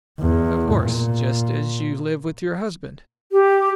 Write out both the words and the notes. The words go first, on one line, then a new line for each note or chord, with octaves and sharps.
"Of course--just as you live with your husband."
E2
A#2
G4